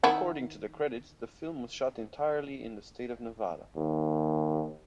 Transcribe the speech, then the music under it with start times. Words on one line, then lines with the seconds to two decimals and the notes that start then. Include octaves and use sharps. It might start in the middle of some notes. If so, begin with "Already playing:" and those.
According to the credits, the film was shot entirely in the state of Nevada.
0.03 D#3 E4 F#5
3.76 D#2